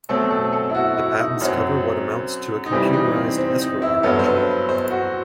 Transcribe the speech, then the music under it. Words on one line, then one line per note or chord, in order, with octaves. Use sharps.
The patents cover what amounts to a computerized escrow arrangement.
B2 F#3 A3 C4 A4
A4
A4
E4
F#4
E4
D#4
F#2 F#3 C4
D#4
C3 E3 G3 C4
D#4
C4
C4
D#4
E4
G2 F#3 B3 A4
C5
B4
C5
F#4